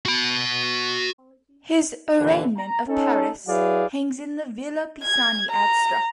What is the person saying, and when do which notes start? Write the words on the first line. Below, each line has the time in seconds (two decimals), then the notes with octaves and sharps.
His "Arraignment of Paris" hangs in the Villa Pisani at Stra.
0.06 F#4 B5
2.19 D#2 A#2 D3 E3
2.57 A#5
2.87 C#4 D#4 A4
3.47 F#3 E4 G#4 B4 D5 F5
5.03 G#6
5.51 A#5